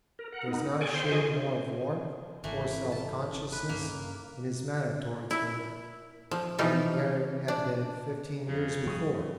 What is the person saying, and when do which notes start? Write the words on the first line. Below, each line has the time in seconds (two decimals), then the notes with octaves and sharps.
There was not a shade more of warmth or self-consciousness in his manner towards her than there had been fifteen years before.
0.19 A#4
0.32 A#4 F#5
0.48 B3 D#4
0.81 G#4 D5 G5 G#5 C#6
0.94 C5 F5 G5 C6
1.11 D#3 F4 G#4 D#5 G#5 C#6
2.44 G#1 E3 A3 A#3
2.92 A5
3.53 B4
3.69 G2 C#3 A#3 C#4
5.31 E4
6.31 F3
6.58 E3 F3 D#4 F4
7.48 D4
8.48 F2 C#3
8.86 F3 G3 G5 C#6 D#6